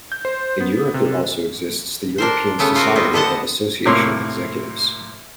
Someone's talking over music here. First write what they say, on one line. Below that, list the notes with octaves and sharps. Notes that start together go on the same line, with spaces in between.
In Europe there also exists the European Society of Association Executives.
G6
C5
B3
C3
D4 A#4 C5
C#3 A3 B3
F4 F#4 A#4
G3 B3 C4
D3 B3 D#5 F#5 A5
A2 C3 A#3 C#5 C6 E6